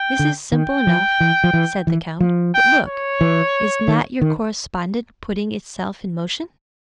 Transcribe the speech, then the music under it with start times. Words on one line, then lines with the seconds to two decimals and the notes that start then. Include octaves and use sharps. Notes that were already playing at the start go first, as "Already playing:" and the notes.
"This is simple enough," said the count; "but look, is not your correspondent putting itself in motion?"
Already playing: G5
0.19 D3
0.52 D#3 G5
0.87 F3
1.20 E3
1.44 F3
1.53 E3
1.87 E3
2.20 F3
2.54 G5
2.88 C#5
3.21 E3
3.88 D#3
4.21 D#3